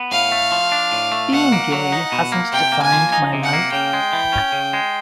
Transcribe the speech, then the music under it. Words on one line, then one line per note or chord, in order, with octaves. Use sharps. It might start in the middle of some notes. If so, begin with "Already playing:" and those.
Being gay hasn't defined my life.
Already playing: B3
A2 F5
A3
F3
D4
A2
A3
B2 F#5
A#3
F#3
D#4
B2
A#3
C3 G5
A#3
G#5
F3
D#4
C3
F#5
A#3
C#3 G5
G#3
E3
C#4
C#3
G#3